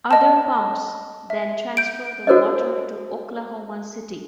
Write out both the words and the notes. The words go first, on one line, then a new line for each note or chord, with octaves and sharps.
Other pumps then transfer the water to Oklahoma City.
D#5 A5
E5
G6 D7
F#4 A4 A#4 C5 C#5 D#5